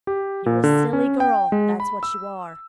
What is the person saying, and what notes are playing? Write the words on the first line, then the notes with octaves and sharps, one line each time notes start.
You're a silly girl, that's what you are!'
G4
A#2
D3
C#4
G5
G#3
B5
E6